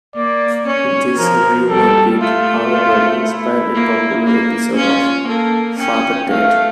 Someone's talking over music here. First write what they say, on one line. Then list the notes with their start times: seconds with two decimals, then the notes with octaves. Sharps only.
This rumour did, however inspire a popular episode of "Father Ted".
0.16 A#3 D5
0.67 C#4 C#5
1.18 F3 A#4
1.69 G3 A4
2.21 A3 F4
2.71 F4
3.22 E4
3.74 A#3
4.26 A#3
4.76 C#4 F4
5.28 A#3 A4
5.79 C#4 G5
6.30 A3 F5